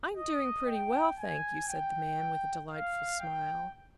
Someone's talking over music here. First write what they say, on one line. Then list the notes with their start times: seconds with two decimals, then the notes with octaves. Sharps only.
"I'm doing pretty well, thank you," said the man, with a delightful smile.
0.16 D#5
0.66 G5
1.18 G#5
1.68 G5
2.69 F5
3.20 G5